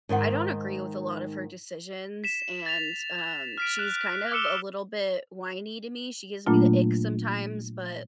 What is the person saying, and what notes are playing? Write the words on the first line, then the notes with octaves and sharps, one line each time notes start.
I don't agree with a lot of her decisions, and, um, she's kind of a little bit whiny to me. She gives me the ick sometimes, but,
G#2 D#3 C5 F#5
B6 E7
A6 F7
F6 B6 D7
F#6
D6 E6 C#7 E7 G7
A#2 F#3 A3 A#3 D4 F4